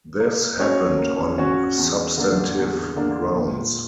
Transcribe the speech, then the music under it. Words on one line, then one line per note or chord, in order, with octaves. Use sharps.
This happened on substantive grounds.
A#3
C#4 F#4 C#5
A#3
C#4 F#4 C#5
E2
D3 A#3 D4
E2
D3 A#3 D4
A#2